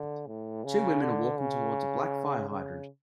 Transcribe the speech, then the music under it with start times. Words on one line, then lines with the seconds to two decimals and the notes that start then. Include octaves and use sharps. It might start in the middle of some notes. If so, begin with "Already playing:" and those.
Two women are walking towards a black fire hydrant.
Already playing: D3
0.27 A2
0.64 C#3
1.01 D3
1.39 C#3
2.50 C#3